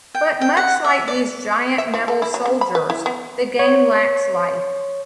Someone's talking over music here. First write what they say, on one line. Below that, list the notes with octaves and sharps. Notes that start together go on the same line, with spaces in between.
But much like these giant metal 'soldiers,' the game lacks life.
G5
G5
F#5
E5
D5
E5
F3
A4
E4
F#3
C#3
B5
B4
E4
B3
C#5